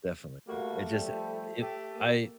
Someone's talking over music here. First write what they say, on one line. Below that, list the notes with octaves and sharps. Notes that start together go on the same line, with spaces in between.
Definitely. It just, it if I
G3 A3 A#3 F#4
F3 G3
A3 G4
A#3